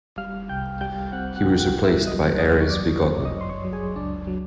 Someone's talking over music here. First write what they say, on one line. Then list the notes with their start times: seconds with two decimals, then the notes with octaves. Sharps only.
He was replaced by Erez Vigodman.
0.18 G3 F5 F6
0.49 C2 G5 G6
0.81 G3 G5 G6
1.12 C4 F#5 F#6
1.36 F#5 F#6
1.44 C2
1.60 F#5 F#6
1.75 G3
1.83 E5 E6
2.07 F#3 D#5 D#6
2.38 F#2 D#5 D#6
2.61 C#6
2.70 F#2 D5 D6
3.02 G1 C#5 C#6
3.25 D#5 D#6
3.34 F#2
3.41 C6
3.49 C#5 C#6
3.65 F#3
3.73 G#4 G#5
3.96 C#2 D4 D5
4.27 F#3